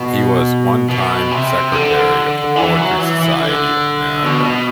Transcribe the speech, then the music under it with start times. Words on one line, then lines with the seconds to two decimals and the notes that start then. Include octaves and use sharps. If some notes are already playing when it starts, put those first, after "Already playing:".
He was one time secretary of the Poetry Society of America.
Already playing: B2
0.89 B2
1.31 C3
1.72 D3
2.56 E3
2.78 F#3
2.98 E3
3.19 E3
3.40 D3
4.23 B2
4.44 B2